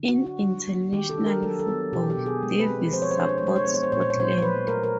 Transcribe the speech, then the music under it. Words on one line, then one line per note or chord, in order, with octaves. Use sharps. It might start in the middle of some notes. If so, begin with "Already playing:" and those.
In international football Davies supports Scotland.
Already playing: D3
F#4
D4
F#4
G3
A#3
D#3 G4
A4
D4
A#4
F#3 A4
A4
B3
B2 G4
G4
B2
G#4
G#3
B4
C4
F3 C5
C#5
C5
D4 C#5
C5
C#5
G#3 C5
C#5
B3 C5
C#5
C5
A#2 C#5
C5
C#5
A#2 C5
C5
F#3 B4
A3 A#4
A#4